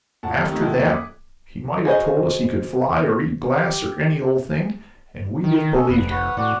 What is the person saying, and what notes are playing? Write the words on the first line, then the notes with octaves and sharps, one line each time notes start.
After that he might have told us he could fly or eat glass or any old thing, and we'd have believed him.
E1 A2 F3 F#5 A5
G1 G2 D#3 F#6
C3 A3 D#4 F4
D#3 F3 G#3 E4 F#4 A4
D#1 F#2 A#2 G4 G#6
D6 D#6 F#6 B6
F#4 G#4 C5 D#5
G4
D#3
C#4 A4 D#5
F1 B4
B4 C#5 F#5
A2 F#4 D5 F#5